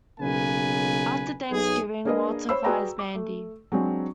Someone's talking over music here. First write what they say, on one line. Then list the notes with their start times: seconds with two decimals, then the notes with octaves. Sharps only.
After thanksgiving Walter fires Mandy.
0.21 B1 C#3 A#3 B4 G#5
1.51 B1 G#4
2.05 A#3 D4 G#4 A#4 B4 D#5
2.49 C5 C#5 B5 E6
2.64 F#4 G#4 B4 D5 G5 A#5
2.99 D6
3.15 A3
3.72 F#3 G#3 C4 D4